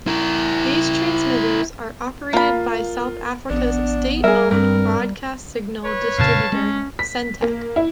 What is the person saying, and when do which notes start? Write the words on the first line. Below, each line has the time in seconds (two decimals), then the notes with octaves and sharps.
These transmitters are operated by South Africa's state-owned broadcast signal distributor Sentech.
0.07 E4 A#4
2.33 A#3 F4 B5
3.50 A1 B3 D4
4.24 G3 G#4 A#4 E5
4.51 G2 C4 A#4
5.84 B4 C#5
6.18 F2 A#2 C#3 F5 A5
6.52 G#3 C#4
6.99 B6
7.42 A#3
7.76 E4